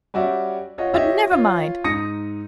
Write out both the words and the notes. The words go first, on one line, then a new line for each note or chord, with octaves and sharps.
But never mind.
G3 C#4 F#4 G4 D5 E5
F4 C#5 D#5 F#5
F4 G4 C#5 D#5 E5
F4 C#5
G#2 D#4 D#6 A#6 C#7 D#7